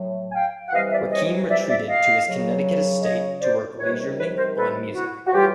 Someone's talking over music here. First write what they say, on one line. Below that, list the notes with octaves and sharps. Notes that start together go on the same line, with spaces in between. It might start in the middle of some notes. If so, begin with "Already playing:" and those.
Rakim retreated to his Connecticut estate to work leisurely on music.
Already playing: A2 F#3
G#5
F5 G5
F#5
C3 E3 G3 D#5 F5
D5 E5
C#5 D#5
D5 E5
D5 E5
D#5 F5
C#3 F#3
C#5 D#5
C5 D5
C3 D#3 G3 B4 C#5
B4 C#5
A#4 C5
A4 B4
E4 F#4
F#4
A2 E3 G3 F4 G4